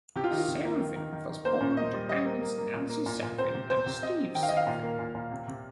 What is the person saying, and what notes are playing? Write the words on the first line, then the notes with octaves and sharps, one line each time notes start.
Selvin was born to parents Nancy Selvin and Steve Selvin.
C3 G4
F4
D#3 D#4
F4
C3
A#3
D#3
D#3
D#3
D#3
A#3 C5
A#2
A#3 D#5
G3
G3 D#5
A#3
A#3
A#3
A#2
A#3
A#2
A#2
C4 C5
C3
C3 C5
C3
C4 D#5
C4
D#3 G5
F5
D#5
D#3
F5
A#2
A#3
A#2
A#2
C3
C3